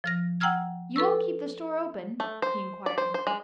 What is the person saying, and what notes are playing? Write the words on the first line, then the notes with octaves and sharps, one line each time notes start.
"You won't keep the store open?" he inquired.
F3 F6 A#6
F#5 G5 A#5 E6 F6 G#6
A4 B4 C#6 E6
A3
C5
D5
C5
C5
G#3